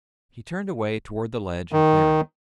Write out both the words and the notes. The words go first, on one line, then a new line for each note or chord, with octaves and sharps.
He turned away toward the ledge and clearing.
D#3